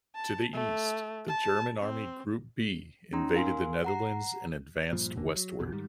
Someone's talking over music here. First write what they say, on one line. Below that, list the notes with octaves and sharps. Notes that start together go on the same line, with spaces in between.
To the east, the German Army Group B invaded the Netherlands and advanced westward.
A5
A3
A5
C4
C#4 D#4 A#5 C6
A#4 F5 G#5 C6
F#5 A#5 C7
G2 A#2 F3
F#1 E2 D3 A#3
F#3
A#1 E2 B2
G#2 D#3 G3